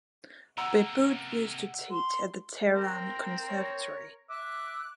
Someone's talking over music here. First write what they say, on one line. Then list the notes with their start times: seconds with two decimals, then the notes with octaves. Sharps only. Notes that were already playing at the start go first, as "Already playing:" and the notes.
Behboud used to teach at the Tehran Conservatory.
0.57 C3 A#3 F#5 A#5 E6
1.91 C6
2.73 C4 A#4
3.49 C#5
4.30 E5 D6 F#6